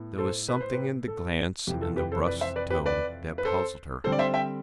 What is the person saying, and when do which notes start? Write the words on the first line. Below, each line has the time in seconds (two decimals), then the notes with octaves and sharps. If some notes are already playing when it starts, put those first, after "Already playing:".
There was something in the glance and the brusque tone that puzzled her.
Already playing: A2 B3
0.18 A4 C5
0.48 B4
0.61 C5
0.73 G4 B4
1.08 A4
1.67 F2 C3 E3 G4
1.82 A4
1.96 G4 B4
2.12 A4 C5
2.27 B4 D5
2.41 C5 E5
2.56 B4 D5
2.70 G4 B4
2.86 B4 D5
3.38 B4
3.45 A4 C5
4.04 D3 G3 C4 A4 C5
4.12 D5
4.19 C5 E5
4.34 E5 G5